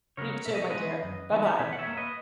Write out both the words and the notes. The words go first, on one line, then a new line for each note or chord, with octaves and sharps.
You, too, my dear. Bye bye.
C#3 F#3 B3 A#4 C#5
B2 E5
D#5
C#5
G#3 B3 B4 D#5
F#2
D#3 G#3 B3
B2 C#5 E5
F#5
C#5 E5
A#3
B4 D#5